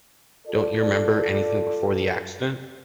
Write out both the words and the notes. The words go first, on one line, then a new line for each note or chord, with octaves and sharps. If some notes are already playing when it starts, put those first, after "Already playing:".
Don’t you remember anything before the accident?
F4 A4 D5